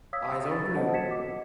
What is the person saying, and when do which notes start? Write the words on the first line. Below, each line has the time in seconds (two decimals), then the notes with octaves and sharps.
Eyes are blue.
0.13 C#5 F5 D#6 E6 G#6 B6
0.52 A6
0.76 A4 C5 C#5 D#5 F#5 A5
0.92 F#4 C5 G#6 B6 C#7 E7
1.11 D6 B6